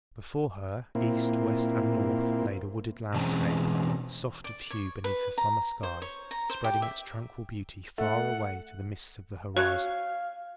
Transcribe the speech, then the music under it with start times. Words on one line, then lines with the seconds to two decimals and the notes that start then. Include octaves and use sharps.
Before her, east, west, and north, lay the wooded landscape, soft of hue beneath the summer sky, spreading its tranquil beauty far away to the mists of the horizon.
0.95 A#2 A#3 C4 E4
3.14 B2 E3 G#3 C4 C#4 A5
4.44 D5
4.70 C#5
5.04 B4
5.38 A#5
5.83 C5
6.02 C#5
6.31 A#5
6.50 C5
6.64 G4
6.82 E5
7.98 A3 F#5
9.57 F#4 C#5 F5 F#6